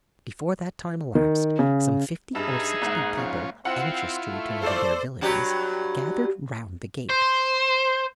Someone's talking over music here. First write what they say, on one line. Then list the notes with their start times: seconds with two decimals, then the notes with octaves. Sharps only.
Before that time elapsed some fifty or sixty people, anxious to return to their villages, gathered round the gate.
1.15 D#3
1.59 C#3
2.35 G2 D#4 G#4 E5
2.82 F#1 G#2
3.17 F3 C#4
3.65 C4 E4 F4 F#5
4.29 A3
4.63 A4 C5 D5
5.21 G2 F#3 G4
7.09 C5